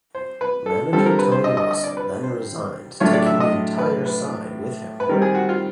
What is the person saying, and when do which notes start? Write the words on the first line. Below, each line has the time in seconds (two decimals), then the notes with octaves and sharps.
Manager Tony Russell then resigned taking the entire side with him.
0.15 C5
0.41 B4
0.66 A4
0.93 D3 G3 C4 F4 A4
1.06 A#4
1.19 B4
1.32 C5
1.44 D#5
1.57 D#5
1.71 D#5
1.84 D5
1.97 B4
2.23 C5
3.00 A2 F#3 A3 D4 F4 C#5
3.13 D5
3.26 E5
3.40 D#5
3.78 B4
4.06 B4
5.00 B4
5.09 D#3 G3 C4 A#4
5.22 G#4
5.35 F#4
5.49 F4